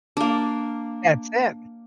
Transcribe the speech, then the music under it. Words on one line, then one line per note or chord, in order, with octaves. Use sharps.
That's it.
A#3 D4